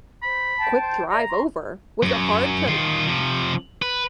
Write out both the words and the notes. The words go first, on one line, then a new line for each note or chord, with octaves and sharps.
quick drive over, was it hard to n n n
C5 B5
G5 A5
C5
D5 E5 A#5
C6 C#6
F#2
D#3 F4
C3 F3
B4